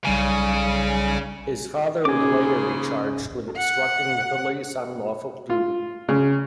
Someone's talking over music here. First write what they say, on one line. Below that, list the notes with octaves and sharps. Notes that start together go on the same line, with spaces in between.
His father would later be charged with obstructing the police on lawful duty.
B1 C#3 G3 G#5
D#2 C#3 C#4 G#4 G#5 D6
F#5
F4
C#3